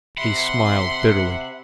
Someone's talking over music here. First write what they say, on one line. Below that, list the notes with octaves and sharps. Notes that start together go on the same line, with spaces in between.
He smiled bitterly.
C3 E5 F#5 B5 C6